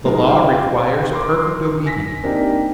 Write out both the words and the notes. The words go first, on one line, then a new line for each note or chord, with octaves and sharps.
The Law requires perfect obedience.
F#3 G#3 B3 D#4 F4 A#4
C5 D#5 F5 G5
A#4 C6 D6
G#5 A#6 B6
A#3 C4 D4 D#4 G4 A#4